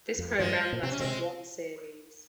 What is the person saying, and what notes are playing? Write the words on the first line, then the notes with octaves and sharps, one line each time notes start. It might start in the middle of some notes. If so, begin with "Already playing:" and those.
This programme lasted one series.
F2
G2 F3 G#3
A#2
C3 C4
C#4
C3 C#3 G#3 C4